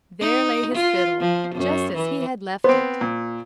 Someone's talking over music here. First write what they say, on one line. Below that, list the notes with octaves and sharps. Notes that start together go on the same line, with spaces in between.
There lay his fiddle, just as he had left it.
D#4
F4
F3
F#2
E3
B3 C4 C5
A#2